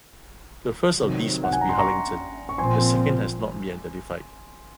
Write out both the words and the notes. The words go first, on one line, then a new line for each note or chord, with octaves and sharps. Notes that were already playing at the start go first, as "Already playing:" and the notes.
The first of these must be Harlington; the second has not been identified.
C3 D#3 F#3
F#5
G#5
A#5
C6
A#5 C#6
C#6
A#2 F3 C4 G#5 C6